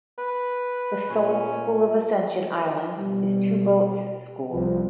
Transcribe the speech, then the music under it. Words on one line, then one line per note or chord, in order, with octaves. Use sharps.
The sole school of Ascension Island is Two Boats School.
B4
A#2 C#4
B2 G3
C2 F3